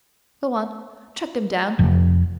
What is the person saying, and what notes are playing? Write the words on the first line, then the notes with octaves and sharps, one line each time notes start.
Go on! Chuck them down!
F1